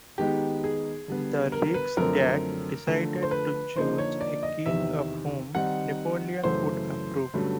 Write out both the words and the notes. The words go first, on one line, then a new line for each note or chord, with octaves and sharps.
The Riksdag decided to choose a king of whom Napoleon would approve.
D#3 G#3 B3 D#4 G4
G#4
D3 G3 B3
A#4
B4
F#2 D3 F3 A3 C4 A#4
D3 F3 A3
C5
B4
D3 F3 A#3 D#4 C5
C#5
D5
D#5
E2 C3 D#3 E5
D#3 G3 C4 D#4 F#5
F#2 C#3 E3 A3 C5
G2 D3 F#3 A3 C#4